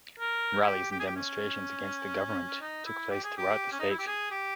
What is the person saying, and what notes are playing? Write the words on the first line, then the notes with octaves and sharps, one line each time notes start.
Rallies and demonstrations against the government took place throughout the state.
A#4
E4
G4
G4
G#4
G4
C#4
D#4
E4
G4
G#4
G4
C#4
D#4
E4
G4
G#4
G4